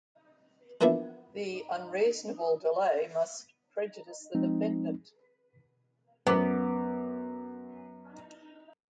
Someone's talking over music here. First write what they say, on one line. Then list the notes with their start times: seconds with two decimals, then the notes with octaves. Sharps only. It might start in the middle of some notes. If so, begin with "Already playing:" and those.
The unreasonable delay must prejudice the defendant.
0.81 E3 F3 A#3 B3 D4 E5
4.35 F3 G#3 C4 D#4
6.27 F#2 B3 D6